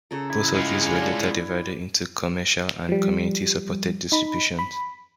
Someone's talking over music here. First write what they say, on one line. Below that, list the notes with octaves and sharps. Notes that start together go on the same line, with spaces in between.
Both of these were later divided into commercial and community-supported distributions.
C#3 A4 A#4
E4
G#3 F4
F5 F#5 B5
D4 D5
F3 G3
D#4 B5
B5